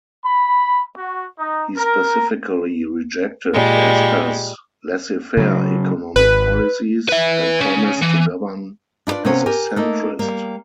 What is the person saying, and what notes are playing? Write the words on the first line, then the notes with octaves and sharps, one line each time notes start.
He specifically rejected Asper's laissez-faire economic policies, and promised to govern as a centrist.
B5
F#4
D#4
A#4
A#2 G3 G#3
C#3 F#3
G#1 B4
B4 E5
C#3
E3
D4 E4 F4 B4 D5
C3 A#3 B3 C#4 C#5
G4 A#4 G#5
A3 A#3 D#4
G3 A#3